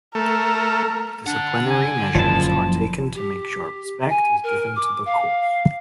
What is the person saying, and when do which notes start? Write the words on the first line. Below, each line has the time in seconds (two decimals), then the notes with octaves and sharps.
Disciplinary measure are taken to make sure respect is given to the course.
0.15 A3 A#4
1.26 D3 D4 F#5
1.70 G#5
2.15 F#1 A#2 F3 E4 A5
3.15 G4
4.09 G#5
4.43 A#4
4.76 D6
5.06 F5